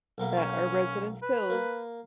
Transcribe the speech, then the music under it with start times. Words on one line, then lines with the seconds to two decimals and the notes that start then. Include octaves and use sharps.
that our residents' pills
0.18 B1 A#3 B3
0.37 C#4
1.23 B4
1.50 A#3